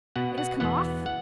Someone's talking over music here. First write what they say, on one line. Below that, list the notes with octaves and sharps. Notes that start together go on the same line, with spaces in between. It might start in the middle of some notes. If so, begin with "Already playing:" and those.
"It has come off?"
B2 B3 F#5
F#5
E2 E3 B3 F#5
F#5